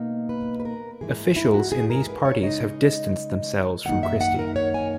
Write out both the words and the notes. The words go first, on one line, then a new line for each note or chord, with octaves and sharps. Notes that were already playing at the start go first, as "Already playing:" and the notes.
Officials in these parties have distanced themselves from Christie.
Already playing: B2 A#3 D#4
B4
B4
A#4
G#2 E3 G#3 G#4
E4
F#4
G#4
A#4
B4
C#5
C#3 G#3 D#4 D#5
F#2 D#3 A#3 D#4 F#5
E5
F#5
A#4
C#5
G#5